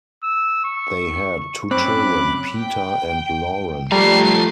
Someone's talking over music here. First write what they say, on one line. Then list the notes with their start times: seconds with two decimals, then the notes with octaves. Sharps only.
They had two children, Peter and Lauren.
0.23 E6
0.65 C#6
1.71 F#2 C4 B5 D6 F#6
2.56 G5
3.92 F3 G3 A3 A#5 C7